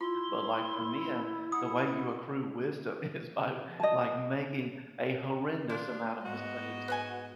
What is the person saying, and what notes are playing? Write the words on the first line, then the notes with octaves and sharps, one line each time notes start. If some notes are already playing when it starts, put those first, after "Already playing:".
but, like, for men, the way you accrue wisdom is by, like, making a horrendous amount of mistakes,
E4 F4 C6
F#5 D#6
D#5 A5
D4 F4
G#2 B3 F#4 D#5
B4 F#5 G#5